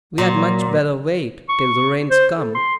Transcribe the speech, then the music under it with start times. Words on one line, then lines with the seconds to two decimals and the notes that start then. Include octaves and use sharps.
We had much better wait till the rains come.
0.18 A#2 F#3
1.49 C#6
2.11 C5
2.36 A4
2.55 C6